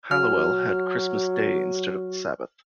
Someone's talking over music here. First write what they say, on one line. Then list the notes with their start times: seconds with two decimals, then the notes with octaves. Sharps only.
Halliwell had 'Christmas Day' instead of the Sabbath.
0.11 F#3 F#4 F6